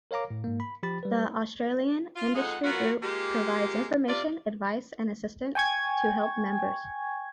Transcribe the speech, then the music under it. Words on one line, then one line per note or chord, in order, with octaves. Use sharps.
The Australian Industry Group provides information, advice and assistance to help members.
A#4 C#5 F5 A#5 D6
A2
G#2 A#3
B5
F3 G4 B5 A6
G3 B4
F4
F2 G#3 D#4 G#4 A4 F#5
F#3 B3 F4 F#4 A#4
G#3 A#3 F4 G4
C3 F4 D5
G5 G#5 C#6 G#6